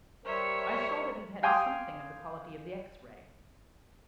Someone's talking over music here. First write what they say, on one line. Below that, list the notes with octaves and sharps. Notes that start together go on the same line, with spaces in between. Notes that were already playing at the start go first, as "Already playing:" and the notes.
I saw that it had something of the quality of the X-ray.
G3 A#4 C5 C#5 E5
F5 G5 G#5 C6 D6 D#6